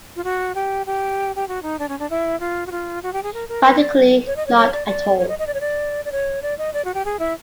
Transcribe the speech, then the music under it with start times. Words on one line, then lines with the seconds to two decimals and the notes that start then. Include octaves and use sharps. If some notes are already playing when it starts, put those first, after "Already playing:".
Practically not at all.
0.16 F4
0.24 F#4
0.55 G4
0.86 G4
1.36 G4
1.48 F#4
1.63 D#4
1.79 D4
1.89 C#4
1.99 D4
2.10 E4
2.40 F4
2.67 F#4
2.71 F4
3.03 F#4
3.13 G4
3.23 G#4
3.34 A#4
3.49 A#4
3.64 B4
3.79 D5
4.27 C#5
4.36 D#5
4.47 C#5
4.57 C#5
4.73 D5
4.87 D5
5.19 C#5
5.29 D#5
5.39 D#5
5.47 D5
5.54 C#5
5.61 D5
6.05 D5
6.12 C#5
6.43 D5
6.58 D#5
6.74 D5
6.85 F#4
6.94 G4
7.05 G#4
7.20 E4